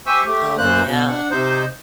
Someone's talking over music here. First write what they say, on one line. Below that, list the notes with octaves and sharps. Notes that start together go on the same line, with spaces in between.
Oh, yeah.
G4 C5 E5 G#5 C#6 E6
A3 G4
F#2 A#3 C5 F#6
B2
D4 F#5
C3 D#4 C5